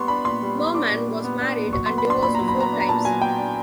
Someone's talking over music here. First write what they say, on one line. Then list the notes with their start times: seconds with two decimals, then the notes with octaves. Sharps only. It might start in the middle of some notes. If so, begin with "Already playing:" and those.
Merman was married and divorced four times.
Already playing: G3 B3 C6 C#6
0.08 D4 B5
0.25 A#2 C6
0.42 G3
0.58 B3
0.75 D4 D6
0.91 A#2
1.08 G3
1.24 B3
1.41 D4
1.57 A#2
1.73 F#3 C#6
1.86 B3 C6
1.98 B5
2.07 D4 C6
2.23 A#2 B5
2.35 F#3 A#5
2.48 B5
2.56 B3 A#5
2.72 D4
2.80 A#5
2.89 A#2 A5
3.05 F#3 G#5
3.22 B3 G5
3.38 D4